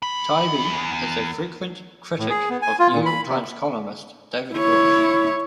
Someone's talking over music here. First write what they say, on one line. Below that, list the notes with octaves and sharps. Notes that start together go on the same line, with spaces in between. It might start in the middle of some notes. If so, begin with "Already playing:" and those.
Taibbi is a frequent critic of "New York Times" columnist David Brooks.
E2 B5
A2
G#4
B3
G#5
F4
A#2
B5
C3
E4 C#5